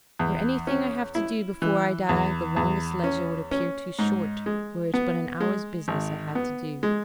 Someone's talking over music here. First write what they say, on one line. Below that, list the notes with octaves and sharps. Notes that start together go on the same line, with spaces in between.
For anything I have to do before I die, the longest leisure would appear too short, were it but an hour's business I had to do.
E2
C#4
E4
E3
E2
E2
C#4
C#4
G#2
G#3
B3
G#3
G#1
B3
G#3